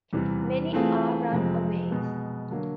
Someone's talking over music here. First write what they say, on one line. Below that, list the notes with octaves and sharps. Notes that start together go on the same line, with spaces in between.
Many are "runaways".
E2 C3 E3 G3
E3 A3 C4 F4 G#4
F2 C3 F3 G#3 C4
B2 G#3 B3
D3 F#3 A#3